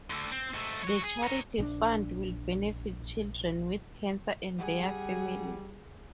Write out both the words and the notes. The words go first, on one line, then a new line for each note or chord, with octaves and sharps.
The charity fund will benefit children with cancer and their families.
D2 D3
C4
G#2 A3
F#4 C#5
G#4
A#4 C#5
A#1 D3 D4
G3 G#4 F#5